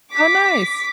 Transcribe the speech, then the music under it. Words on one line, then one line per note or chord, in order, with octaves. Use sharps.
Oh nice.
D6 B6